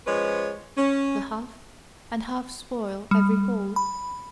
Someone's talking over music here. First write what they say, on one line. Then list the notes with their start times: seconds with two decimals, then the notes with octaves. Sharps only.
The half-and-half spoil every whole.
0.06 F3 G#3 C#4 B4 C#5
0.77 C#4
3.11 G3
3.76 B5